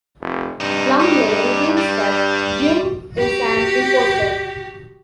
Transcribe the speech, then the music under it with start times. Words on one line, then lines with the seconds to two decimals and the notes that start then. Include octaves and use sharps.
Lumley reveals that Jim is an imposter.
0.21 F1
0.60 G2 C3 D#4
1.00 D#4 G4
1.77 G3
3.15 F#4 G4